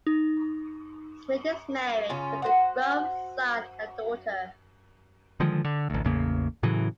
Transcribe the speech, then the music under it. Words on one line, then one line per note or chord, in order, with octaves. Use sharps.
Smith is married with a grown son and daughter.
D#4
C#3 C#4 F4
F#4 C5 F#5
D3 D#3 F3 G#3
D3
A1 D2
A1 E2 C#3 A#3
A2 C#3 E3 F#3